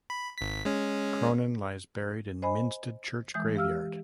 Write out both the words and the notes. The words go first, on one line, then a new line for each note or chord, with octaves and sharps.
Cronin lies buried in Minstead Church graveyard.
B5
G#1 B6
G#3 C#4
C5 D#5 G#5 B5
E3 G#3 D#6 G6
G4 F5 E6 F6